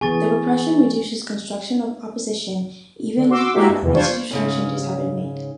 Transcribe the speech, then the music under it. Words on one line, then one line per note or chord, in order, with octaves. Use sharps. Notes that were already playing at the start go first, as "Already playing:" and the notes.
The repression reduces constructive opposition even when institutional changes have been made.
E3 B3 G#4 G#5 C#6 A6
D3
F#4 C6 D6 E6
G#3 A#3 E4 F#4 G4 E5
G2
E2 C3 D#3 E3
G3 D4 F4 C5 C#6 G#6
G#2 C#3 C#4